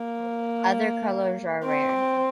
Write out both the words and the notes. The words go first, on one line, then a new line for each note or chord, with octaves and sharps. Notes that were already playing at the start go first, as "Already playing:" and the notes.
Other colors are rare.
Already playing: A#3
C4